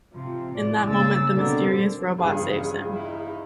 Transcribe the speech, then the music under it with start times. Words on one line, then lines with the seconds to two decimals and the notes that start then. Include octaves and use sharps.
In that moment, the mysterious robot saves him.
0.13 C3 F3
0.54 A2 D5
0.87 C#3 A#3 E6 A6
1.33 B2 D3 C4 A#4
2.18 A#1 E2 G2 C#3 G#4
2.92 D#4 E4